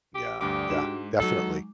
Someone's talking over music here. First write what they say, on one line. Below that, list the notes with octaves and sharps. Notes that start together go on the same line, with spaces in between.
Yeah, yeah, definitely.
G4
D2 G2 G4 D5 D6 D#6
G#2 D4 F#4 E7
G#3
F#3 D#4 A4